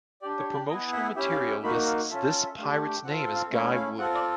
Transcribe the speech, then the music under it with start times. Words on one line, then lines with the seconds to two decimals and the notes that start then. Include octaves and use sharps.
The promotional material lists this pirate's name as Guy Wood.
0.22 D4 G4 D5
0.38 C#5
0.53 D5
0.69 B3 E4 G#4 D#5
0.93 E5
1.16 C#4 E4 G4 E5
1.32 F5
1.47 G5
1.63 A#3 D#4 F#4 B5
1.87 F5
2.10 C#4 F4 A4 E5
2.27 A5
2.42 E5
2.57 A3 D4 G4 F5
2.73 F#5
2.89 G5
3.04 C4 F4 A4 F#5
3.20 F5
3.36 F5
3.51 A3 C#4 E4 E5
3.75 F5
3.98 C4 F4 A4 F#5
4.15 D5